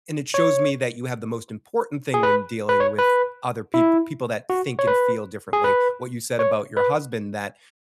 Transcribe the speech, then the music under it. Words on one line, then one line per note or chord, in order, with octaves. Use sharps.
and it shows me that you have the most important thing when dealing with other peop people that think and feel differently. What you said about your husband that
C#5
G#4
B4
B4
C#5
B4
E4
F#4
C#5
B4
G#4
B4
C#5
B4